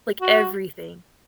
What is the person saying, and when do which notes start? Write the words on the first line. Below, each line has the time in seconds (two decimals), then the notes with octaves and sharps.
Like, everything.
0.22 F#4